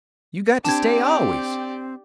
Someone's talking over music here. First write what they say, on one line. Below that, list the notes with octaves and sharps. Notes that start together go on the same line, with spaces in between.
You got to stay always.
C4 D4 G4 D5 A5 G#6